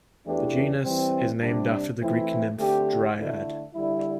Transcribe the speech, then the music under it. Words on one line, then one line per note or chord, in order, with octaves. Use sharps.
The genus is named after the Greek nymph Dryad.
E2 E3 A3 D4 G4
E3 G3 C4
C3 G3 D4
E3 A3 C4 E4
D3 A3 C4 G4
D3 A3 E4
D3 G3 E4